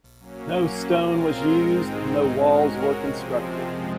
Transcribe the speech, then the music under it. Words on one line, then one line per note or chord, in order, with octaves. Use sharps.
No stone was used and no walls were constructed.
F#3 A#3 C#4
G#3 C4 F4 A#4
G#2 D#3 G#3 C4 D#4
G#3 C#4 F#4 A#4
C3 F3 G#3 C4
F#2 F3 G#3